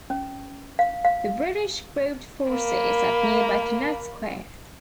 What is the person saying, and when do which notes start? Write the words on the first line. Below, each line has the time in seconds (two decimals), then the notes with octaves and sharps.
The British grouped forces at nearby Kennett Square.
0.10 C#4
0.79 F5
1.05 F5
2.50 A#3 B5